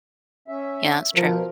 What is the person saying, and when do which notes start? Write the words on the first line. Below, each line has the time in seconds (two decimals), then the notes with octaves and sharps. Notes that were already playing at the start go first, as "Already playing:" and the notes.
Yeah, that's true.
0.48 C#4 E5
1.15 B2 F3 A#4